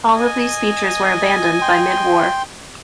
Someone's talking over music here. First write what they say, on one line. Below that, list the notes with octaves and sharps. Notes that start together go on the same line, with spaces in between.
All of these features were abandoned by mid-war.
D#5 G#5
G5 C6